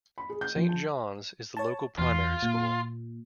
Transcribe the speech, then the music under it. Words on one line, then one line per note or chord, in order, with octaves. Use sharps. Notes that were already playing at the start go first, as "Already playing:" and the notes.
Saint John's is the local primary school.
B5
G#4
G6
F3
A5
C#5 A5
E2 F4
A#2